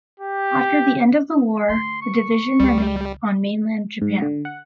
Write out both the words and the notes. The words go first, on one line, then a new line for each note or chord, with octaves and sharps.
After the end of the war, the division remained on mainland Japan.
G4
D3 A3 C6
C#6
C#2 G3
G#2
D3
F#5